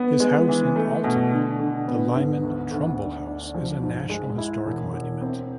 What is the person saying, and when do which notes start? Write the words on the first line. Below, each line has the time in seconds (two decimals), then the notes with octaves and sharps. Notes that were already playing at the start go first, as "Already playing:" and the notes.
His house in Alton, the Lyman Trumbull House, is a National Historic Monument.
Already playing: B3
0.20 G#3
0.48 E3
0.76 A3
1.04 B2
1.32 D3
1.60 D3
1.88 B3
2.15 G#2
2.43 D2
2.71 D2
2.99 D4
3.27 D4
3.54 F3
3.82 G#2
4.10 G#3
4.38 E4
4.66 E1
4.94 E1
5.21 C4